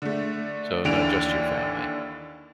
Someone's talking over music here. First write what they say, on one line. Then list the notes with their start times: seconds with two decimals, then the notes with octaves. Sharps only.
so, not just your family.
0.02 D3 A3
0.85 D#2 D3 E3 D7 F7